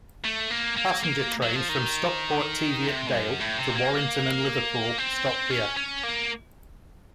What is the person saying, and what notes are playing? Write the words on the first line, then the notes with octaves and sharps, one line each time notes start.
Passenger trains from Stockport Tiviot Dale to Warrington and Liverpool stopped here.
A3
A#3
A#3
A#3
F#3
F3
D#3
C3
F#2
A2
C3
A#3
C4
C#4
C#4
A#3